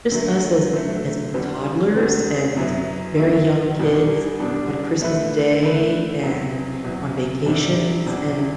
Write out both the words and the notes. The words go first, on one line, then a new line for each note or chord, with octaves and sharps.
just us as as toddlers and very young kids on Christmas Day, and on vacations, and
D3 F#3 A3
D3 F#3 A3
E2 D3 G3 C4
E2 D3 G3 C4
F#2 F#3 B3 E4
F#2 F#3 B3 E4
E2 B2 G3 D4
E2 B2 G3 D4
D3 A3 E4 B4
D3 A3 E4 B4
E2 C3 F#3 B3
E2 C3 F#3 B3
E2 C3 G3 D4
E2 C3 G3 D4